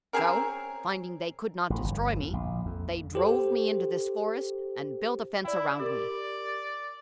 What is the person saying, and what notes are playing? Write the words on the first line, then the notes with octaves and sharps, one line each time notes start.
So, finding they could not destroy me, they drove me into this forest and built a fence around me.
C4 C#4 G#4 A#4
A1
G1
E2
A#1
F2
G4 A4 C5
E4 D5 G5
G4 A#4 D5